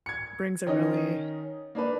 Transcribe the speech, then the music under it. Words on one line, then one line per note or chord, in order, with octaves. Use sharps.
brings a really,
G#6 C#7
D#3 C#4 D#4 D#5
A#3 D4 B4